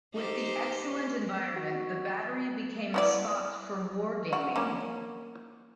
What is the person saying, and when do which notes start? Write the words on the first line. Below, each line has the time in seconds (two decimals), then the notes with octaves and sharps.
With the excellent environment, the Battery became a spot for wargaming.
0.13 D#4 G4 C5
1.56 F#4
2.94 B3 E4 D5
4.33 F#4
4.56 A#3 C#4